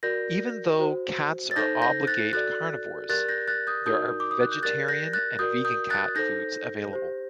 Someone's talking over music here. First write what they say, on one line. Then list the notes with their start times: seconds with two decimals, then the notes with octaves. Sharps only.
Even though cats are obligate carnivores, there are vegetarian and vegan cat foods available.
0.03 F#4 A#4 D5 G6 A#6
0.79 F#4 C5
1.51 A6
1.56 D#4 A4 C5 G6 A#6
1.82 G6 A#6
2.07 F#6 A6
2.33 F#4 A4 D5 F#6 A6
3.09 G4 A#4 D5 F#6 A6
3.29 G6 A#6
3.48 F#6 A6
3.67 D#6 G6
3.86 D#4 F#4 A#4 D5 D#6 G6
4.20 D6
4.31 D#6
4.42 F#6
4.52 G6
4.63 G4 A#4 D5 F#6 A6
4.88 G6 A#6
5.13 F#6 A6
5.39 F#4 A#4 D5 D#6 G6
5.65 D#6 G6
5.90 F#6 A6
6.16 D#4 A4 C5 G6 A#6
6.93 G4 C5